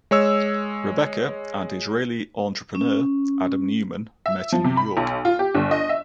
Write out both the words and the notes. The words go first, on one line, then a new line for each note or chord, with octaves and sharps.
Rebekah and Israeli entrepreneur Adam Neumann met in New York.
G#3 C#5 E6
C#4
E5
F3
C3
B5
B1
F4
G4
G1
D#5
E5